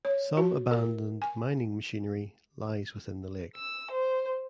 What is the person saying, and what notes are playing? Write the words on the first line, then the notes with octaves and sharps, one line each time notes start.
Some abandoned mining machinery lies within the lake.
C#5
F#4
A#4
G#5
E6
C5